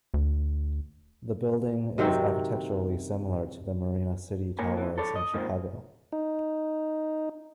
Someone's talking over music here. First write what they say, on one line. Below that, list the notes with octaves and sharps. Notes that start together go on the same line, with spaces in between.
The building is architecturally similar to the Marina City towers in Chicago.
D2
C3 D#3 F#3 C4
A#3 A#4 C#5 G#5
F2 E3
A4 C#5 D5
D#5
G#2 D#3 F3 A#3 C4
D#4